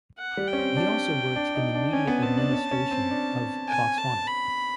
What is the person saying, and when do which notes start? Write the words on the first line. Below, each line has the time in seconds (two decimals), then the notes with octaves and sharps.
He also worked in the media administration of Botswana.
0.18 F#5
0.37 G3
0.47 G5
0.53 C#4
0.58 C4
0.76 D4
1.36 D4
1.55 D#4
1.75 D4
1.93 C#4 G#5
2.08 B3
2.22 C4 A5
2.38 D4
2.52 C#4
2.71 C#4
2.91 C4
3.10 D4
3.68 G#5
3.97 A5
4.26 B5